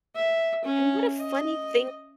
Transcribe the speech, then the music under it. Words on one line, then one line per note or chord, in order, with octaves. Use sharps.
And, and what a funny thing to
E5
C#4
D#5